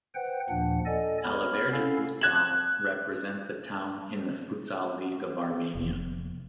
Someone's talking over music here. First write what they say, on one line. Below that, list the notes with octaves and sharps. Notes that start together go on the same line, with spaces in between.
"Alaverdi futsal" represents the town in the Futsal League of Armenia.
B4 C5 F#5 G5
D#2 A#2 F3 A#3 D4 F#5
A4 D5 D#5 G#5
B3 C#5 B5 F6
C#4 E4 A4 F5
F#6 G#6 E7 F#7
F1